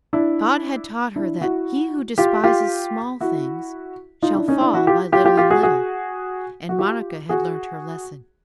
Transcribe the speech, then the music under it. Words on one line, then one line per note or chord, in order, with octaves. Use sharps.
God had taught her that "he who despises small things shall fall by little and little," and Monica had learnt her lesson.
D4 E4
D4 E4
E4 F#4
F4 G4
F4 G4
E4 F#4
D#4 F4
D4 E4
C#4 D#4
D4 E4
E4 F#4
F4 G4
F4 G4
F4 G4
F4 G4
F#4 G#4
F#4 G#4
F#4
F4 G4
F#4 G#4